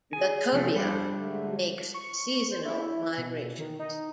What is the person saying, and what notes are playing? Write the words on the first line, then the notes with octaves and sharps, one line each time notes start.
The cobia makes seasonal migrations.
G#4 G#5
C3 F3 A3
F2 F3 G3 D4 C5
G#2 D3 A3
C#6
C5
E4
B2
D#3
D#4